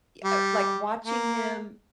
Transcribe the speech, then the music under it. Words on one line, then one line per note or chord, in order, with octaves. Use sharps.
y uh, like watching him,
G3
A#3